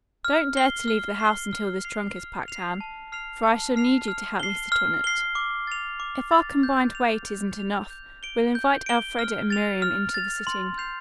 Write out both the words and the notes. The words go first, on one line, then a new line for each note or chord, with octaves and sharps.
Don't dare to leave the house until this trunk is packed, Anne, for I shall need you to help me sit on it. If our combined weight isn't enough, we'll invite Elfreda and Miriam in to the sitting.
F6
C7 G7
F6
C7
G7
F6
C7 F7
F6
C7 F7
A5
F6 C7 F7
A5
F6 C7 F7
F6
C7 G7
F6
C7 G7
D6
A6 F7
D6
A6 F7
G6
F7
G6
F7
G6
D7 G7
G6
D7 G7
F6
A6 F7
F6
A6 F7
C6
G6 C7 F7